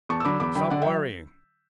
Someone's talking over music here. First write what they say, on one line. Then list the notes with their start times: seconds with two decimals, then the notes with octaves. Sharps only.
"Stop worrying!"
0.09 E2 A5 C#6
0.20 E6
0.25 D3 F#3 B5 D6
0.40 E2 B5 D6
0.55 D3 F#3 G5 B5
0.70 D3 D5 F#5
0.82 F#3 E5 G5